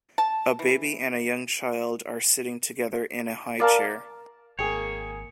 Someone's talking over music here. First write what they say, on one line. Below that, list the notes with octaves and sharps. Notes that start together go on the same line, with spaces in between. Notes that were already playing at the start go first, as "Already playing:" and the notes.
A baby and a young child are sitting together in a highchair.
A5
E3
A#4 D5 F5 A5
G#1 A#3 G#4 C#5 G5